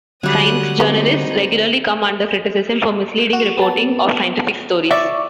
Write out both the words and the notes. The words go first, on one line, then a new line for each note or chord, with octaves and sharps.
Science journalists regularly come under criticism for misleading reporting of scientific stories.
D3 F#3 G3 D#6 F#6
G#3 B3 C4 D#4
F#4
B3 A5
D5 E5 C#6 D6